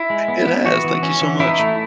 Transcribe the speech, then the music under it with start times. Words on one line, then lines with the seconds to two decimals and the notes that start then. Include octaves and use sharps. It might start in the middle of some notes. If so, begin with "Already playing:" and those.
It has, thank you so much.
Already playing: E4
0.10 G#3
0.28 B3
0.47 B3
0.65 E3 F#4
0.84 E3
1.03 C#4
1.22 E3
1.40 D#4 E4
1.59 A3